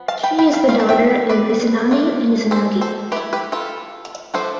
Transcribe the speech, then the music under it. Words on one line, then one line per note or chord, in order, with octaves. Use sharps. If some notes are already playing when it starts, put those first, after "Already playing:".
She is the daughter of Izanami and Izanagi.
Already playing: F3 B3
F5 A5
G5 B5
G5 B5
F5 A5
A3 C4 F5
A5
E5 G5
B4 D5
A3 D4 F4
A4 C5
A4 C5
A3 E4 G4 B4
G4 B4
F4 A4
F3 A3 D4 A4 C5